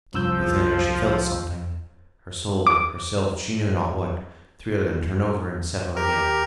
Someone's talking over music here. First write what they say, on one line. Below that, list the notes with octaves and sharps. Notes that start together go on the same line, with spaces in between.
Deep within her she felt something--her soul, herself, she knew not what--thrill and turn over and settle again....
C2 F3 E6 G6
D6
G4 A#4